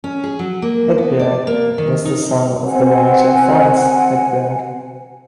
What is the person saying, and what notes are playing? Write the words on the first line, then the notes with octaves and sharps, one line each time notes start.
Hedberg was the son of the writer Frans Hedberg.
C#4
G#4
F#3
A#3
B3
D5
A#3
D#3
D#4
C4 F#5 G#5